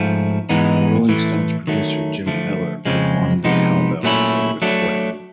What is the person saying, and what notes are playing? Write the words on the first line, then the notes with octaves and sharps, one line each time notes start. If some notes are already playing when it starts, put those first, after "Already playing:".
The Rolling Stones' producer Jimmy Miller performed the cowbell for the recording.
Already playing: G#2 F3 A3
G#2 E3 G#3 B3 D#4
A2 E3 A3
D#3 F#3 A3
D3 F3 A3
F2 C#3 F3 G#3
C3 F3 G#3 B3 D#4
A#2 F#3 A3 C#4 E4
F#3 A3 D4